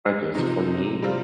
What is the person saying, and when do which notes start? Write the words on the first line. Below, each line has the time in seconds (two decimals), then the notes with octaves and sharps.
Okay, so, for me,
0.35 C3 F3 D#4
1.02 C3 G3 C4 F4